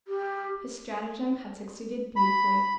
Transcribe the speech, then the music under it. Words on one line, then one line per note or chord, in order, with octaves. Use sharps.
His stratagem had succeeded beautifully.
G4
B5